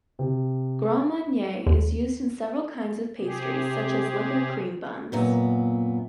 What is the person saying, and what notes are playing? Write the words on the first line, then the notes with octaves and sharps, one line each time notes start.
Grand Marnier is used in several kinds of pastries, such as liquor cream buns.
C3
D#2
C3 G4 G#4
F#2 A#2 B3